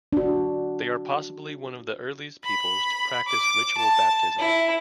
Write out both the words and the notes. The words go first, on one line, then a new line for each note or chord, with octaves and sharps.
They are possibly one of the earliest peoples to practice ritual baptism.
D4 F#4
B5
D6
A5
E4